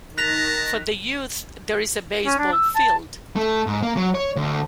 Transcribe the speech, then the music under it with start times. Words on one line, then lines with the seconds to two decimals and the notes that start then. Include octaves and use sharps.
For the youth, there is a baseball field.
0.18 D#3 A5 A#5 F#6 A#6 B6 F7
2.25 C#4
2.38 D4
2.53 E6
2.75 A5
3.36 A3
3.67 G#2
3.82 A#3
3.97 F#3
4.15 C#5
4.36 D2